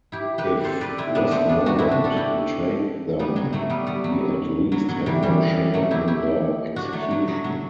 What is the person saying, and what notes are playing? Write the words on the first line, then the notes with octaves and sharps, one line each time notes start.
If Westmorland betrayed them he at least had no share in their execution.
E4 G4
G4 B4
A4 C5
B4 D5
C4 E4
B3 D4
A3 C4
B3 D4
D4 F#4
C4 E4
D4 F#4
F#4 A4
E4 G4
G3 B3
F#3
F#3 A3
G3 B3
G3 B3
F#3
F#3
F#3
E3 G3
E3 G3
F#3 A3
E4 G4
E4 G4
D4 F#4
F#3 A3
F#3
F#3
F#3